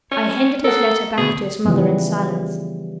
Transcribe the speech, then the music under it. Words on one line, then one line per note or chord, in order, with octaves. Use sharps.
I handed his letter back to his mother in silence.
C#4 C#5
A4 A#4 F#5
D2 B2 G#4
C#3 E3 F3 G3 B3